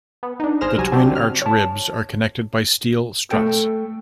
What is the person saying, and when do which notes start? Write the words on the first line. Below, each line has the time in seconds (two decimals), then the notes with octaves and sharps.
The twin arch ribs are connected by steel struts.
0.23 B3
0.40 D4 D#4
0.61 G#1 G#4 C5 F6 A#6 E7
0.78 C2 F#3 G3 G#5
0.92 F#3 C4 D4 F#4 G4
1.15 C#3 F6
1.42 C#5 A5
3.31 A3 A4 G5